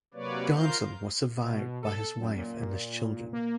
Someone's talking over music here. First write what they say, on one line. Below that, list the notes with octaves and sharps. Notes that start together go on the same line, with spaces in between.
Johnson was survived by his wife and his children.
C3 F#3 A#3 B4 C#5 D5
F4 A#4 C5 F5 G6
B2
A4
F#2
A#2
A#3